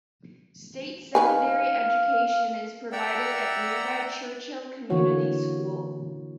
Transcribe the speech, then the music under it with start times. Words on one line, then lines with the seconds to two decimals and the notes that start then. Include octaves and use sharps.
State secondary education is provided at nearby Churchill Community School.
1.15 D#3 B4 F5 G#5
2.92 D5 E5 F#5 G5 A#5 E6
4.90 D3 E3 A#3 F#4 C#5